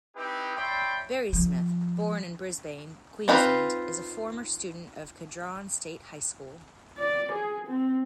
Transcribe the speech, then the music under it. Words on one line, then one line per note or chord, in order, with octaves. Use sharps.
Barry-Smith, born in Brisbane, Queensland, is a former student of Kedron State High School.
C4 D#4 E4 G4 B4
C#5 D5 E5 G5 B5 C6
F3
C4 D#4 F4 B4
D5
G#4
C4